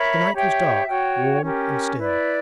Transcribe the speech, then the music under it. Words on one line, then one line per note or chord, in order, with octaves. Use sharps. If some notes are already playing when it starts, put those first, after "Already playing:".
The night was dark, warm, and still.
Already playing: A#4 C#5 E5 B5
G4 C#5 E5 G5
F#4 C#5 G5
C#4 G4 A#4
E4 B4 D5